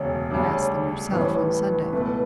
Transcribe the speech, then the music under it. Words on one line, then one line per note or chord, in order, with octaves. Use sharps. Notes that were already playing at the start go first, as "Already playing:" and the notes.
"You asked them yourself on Sunday."
Already playing: E1 D2 C#3 C#5
D2 C#3 G3 D4
A1 A2 E3 G3 B4
C#5
B4
C#2 B2 A3 E4